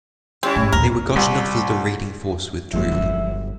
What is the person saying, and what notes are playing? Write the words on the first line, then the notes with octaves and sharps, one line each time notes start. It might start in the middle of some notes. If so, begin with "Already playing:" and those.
They were gotten off as the raiding force withdrew.
G3 C4 C#4 E4
G#1 A2
A#1 D#2 A#4
C2
G1 F#2 F3 G#3 E5